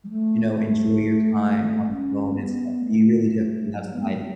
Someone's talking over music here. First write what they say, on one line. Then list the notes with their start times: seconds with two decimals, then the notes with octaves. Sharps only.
you know, enjoy your time on the phone and stuff, but you really do have to get outside and
0.04 G3
0.10 A3
1.90 C#4
2.36 B3
2.81 A3
3.72 F#3
3.93 B3
4.01 A3
4.09 G3
4.17 F#3